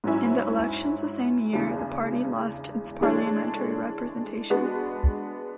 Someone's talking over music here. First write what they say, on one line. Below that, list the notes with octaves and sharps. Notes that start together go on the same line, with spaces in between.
In the elections the same year, the party lost its parliamentary representation.
G#2 F#3 C#4 E4
E2 C#3 E3 G#3 D4
E3 G#3 D4 A4 C#5
G#3 B3 D4 F#4 B4